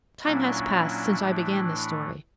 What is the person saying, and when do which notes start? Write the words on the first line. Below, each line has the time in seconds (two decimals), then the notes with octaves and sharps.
Time has passed since I began this story.
0.24 A#2 F#3 A#3 C#4 D4 E4
1.17 A2 E3 A3